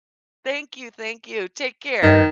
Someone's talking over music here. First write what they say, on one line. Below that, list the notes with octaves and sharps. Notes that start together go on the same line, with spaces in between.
Thank you, thank you, take care.
G2 D#3 A#4 D#5